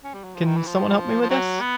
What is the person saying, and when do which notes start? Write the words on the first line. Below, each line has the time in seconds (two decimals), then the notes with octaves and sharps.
Can someone help me with this?
0.04 C#4
0.14 G3
0.24 F#3
0.35 F3
0.46 D#3
0.57 E3
0.67 F3
1.22 F3
1.30 F#3
1.61 B3